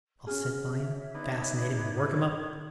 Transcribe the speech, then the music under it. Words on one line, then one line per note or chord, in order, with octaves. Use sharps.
I'll sit by him, fascinate him and work him up.
C#4 F#4 G#4 F6
C#5 E5
B3 D4 D#4 G#6